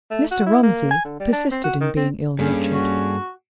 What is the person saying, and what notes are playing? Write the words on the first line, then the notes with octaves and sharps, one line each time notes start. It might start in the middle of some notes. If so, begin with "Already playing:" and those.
Mr. Romsey persisted in being ill-natured.
A3
F#4
E4
A#3
G#5
D3
G3
D4
C4
F#4
D#3
C4
G2 A#3 C#4 G#4 A4
F#4